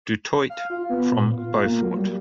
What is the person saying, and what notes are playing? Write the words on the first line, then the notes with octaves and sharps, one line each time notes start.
Du Toit from Beaufort.
F5
F4
B3
A#2
F4
A#3
F#3
G3